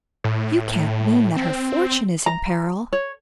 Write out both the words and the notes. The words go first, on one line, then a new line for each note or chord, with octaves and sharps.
"You can't mean that her fortune is in peril?"
A2
C4
A#5
C#5